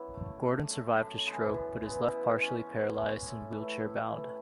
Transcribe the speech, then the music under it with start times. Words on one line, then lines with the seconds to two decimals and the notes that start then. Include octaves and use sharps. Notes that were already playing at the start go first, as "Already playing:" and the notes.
Gordon survived his stroke, but is left partially paralyzed and wheelchair-bound.
Already playing: F#2 F#3 B3 E4
0.14 D3 A3
0.43 F#2
0.70 D3 A3
0.98 F#2
1.26 E3 G#3 B3
1.54 F#2
1.83 E3 G#3 B3
2.10 B2
2.39 G#3 C#4
2.66 B2
2.95 G#3 C#4
3.23 A2
3.51 E3 A3
3.79 A2
4.06 E3 A3